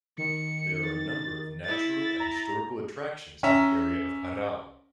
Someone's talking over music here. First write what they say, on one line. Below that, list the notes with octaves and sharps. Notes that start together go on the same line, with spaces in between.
There are a number of natural and historical attractions in the area of Parral.
D#3 C#7
A6
E4 A6
A#5
C#4 E5 A#5